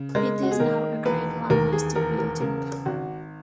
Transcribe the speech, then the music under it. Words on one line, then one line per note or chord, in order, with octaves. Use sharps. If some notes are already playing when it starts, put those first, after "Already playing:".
It is now a Grade One listed building.
Already playing: C#3
G#3 A#4
F#4
G#4
D#3 A#4
E1 B4
D#2 A#4
G#4
E1 A#4
A#4
C#3 A#4
G#1 F#4